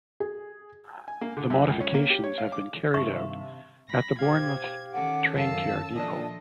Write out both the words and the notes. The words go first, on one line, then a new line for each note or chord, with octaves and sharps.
The modifications have been carried out at the Bournemouth Traincare Depot.
G#4
G#5
A#3
D3
F#2
C#2
C#4
A#3
G4
C#5
F5
D6
G2 C3 D#3 E5 F5 A5 C#6
B5 A#6
B2 G4 C5 F5 G#6
D#3 C#4 A4 F#5 D6
F#2 F5 A5 E6
A#2 F3 A3 D4 D#5 A5